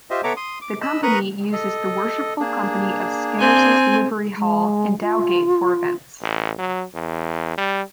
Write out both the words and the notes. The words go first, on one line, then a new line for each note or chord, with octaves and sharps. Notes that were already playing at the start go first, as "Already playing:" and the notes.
The Company uses the Worshipful Company of Skinners' livery hall in Dowgate for events.
F4 G4 C5 D#5 E5
B3 A4 C#5 E5 A#5 D6
C6 D#6
D6
D#5 B5 E6
A#4 B4 A#5 C#6 D#6 F#6
A4 D#5
A#3 D4 G#4
C4 G#5
G#3
F4
A1
F#3
E2
G3